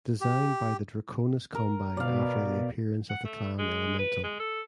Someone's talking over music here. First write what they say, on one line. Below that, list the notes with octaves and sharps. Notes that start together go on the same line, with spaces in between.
Designed by the Draconis Combine after the appearance of the clan elemental.
G4
A#4
B2 D5 F5
F#5
A3
G#3
B4
G#3
A4